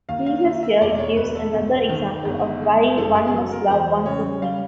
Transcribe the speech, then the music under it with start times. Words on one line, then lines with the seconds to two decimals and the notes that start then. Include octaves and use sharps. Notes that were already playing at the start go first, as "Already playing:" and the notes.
Jesus here gives another example of why one must love one's enemies.
0.09 D#2 F5
0.26 F5
0.45 D#2 E5
0.63 E5
0.81 E1 D5
0.99 C#5
1.17 E1 B4
1.35 A4
1.53 G1
1.89 D#3
2.25 G1
2.62 G#3
2.98 F#1 A4
3.16 G#4
3.27 G#4
3.34 F#3 A4
3.52 A#4
3.70 E2 C5
4.06 C#3 C#5
4.42 G3 F5